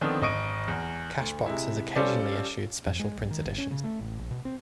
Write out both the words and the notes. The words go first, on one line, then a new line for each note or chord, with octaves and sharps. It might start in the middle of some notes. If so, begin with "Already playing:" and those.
"Cashbox" has occasionally issued special print editions.
D3 D#3 F3 B3 C4 D4
G#1 D#5 C#6 D7 D#7
E2
D2
C3 G#3 E4
G3 C#4 F4 A4 C5 D5
F2
G#3
B1
D#3
G1
C#4
C#3
A3
A1
A#1
B2
C4